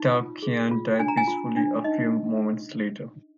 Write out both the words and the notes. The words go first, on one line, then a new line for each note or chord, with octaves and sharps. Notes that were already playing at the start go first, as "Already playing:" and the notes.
Tao Qian died peacefully a few moments later.
Already playing: D#4
F4
G#4
F4
D4 G#5
A#5
G#5
F4
D4
D#4 D#5